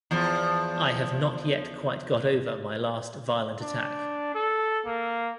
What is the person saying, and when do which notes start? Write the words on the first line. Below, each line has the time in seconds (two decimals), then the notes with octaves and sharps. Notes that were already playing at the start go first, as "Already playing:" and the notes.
I have not yet quite got over my last violent attack.
0.11 E2 F3
3.62 D4
4.35 A4
4.86 A#3